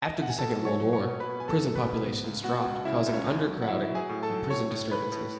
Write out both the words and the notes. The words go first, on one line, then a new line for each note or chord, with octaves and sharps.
After the Second World War, prison populations dropped, causing undercrowding and prison disturbances.
D#5
E5
F#5
G#5
B2 A4 A5
F#3
C#5 C#6
F#3
C#5 C#6
B2
B2 B4 B5
B3 G#5
A4 A5
F#3
B4 B5
B2
B3
C#2
B3 F#4 F#5
C#2
C#3 E4 E5
C#2
C#4 C#5
C#2
F#3
F#5
F#3 E4 E5
F#3
G#4 G#5
A2
A4 A5
F#3
A2 C#5 C#6
A2
A2 B4 B5
A2